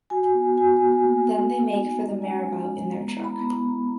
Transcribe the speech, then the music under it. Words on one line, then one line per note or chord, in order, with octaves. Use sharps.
Then they make for the marabout in their truck.
F#4 G#5
B3
F#4 G#5
B3
A#3
A#3
F#4
D#4
G#3 A#5
C#4 G#5
F#4
G#3
B3 A#5
A#5
E4
B5
B3 A#5